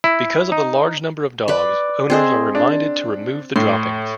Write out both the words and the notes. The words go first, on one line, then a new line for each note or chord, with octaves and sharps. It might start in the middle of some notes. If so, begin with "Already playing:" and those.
Because of the large number of dogs, owners are reminded to remove the droppings.
E4
D#4
B4 D5 B5
C4 G#4 D#5
D4
A2 C6